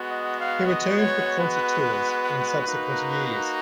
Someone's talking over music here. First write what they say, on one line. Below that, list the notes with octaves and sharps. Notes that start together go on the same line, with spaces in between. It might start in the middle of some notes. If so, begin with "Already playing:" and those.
He returned for concert tours in subsequent years.
Already playing: G#3 B3 F#4
D#5
F5
D#5
C#5
B4
A#3 D#4 F#4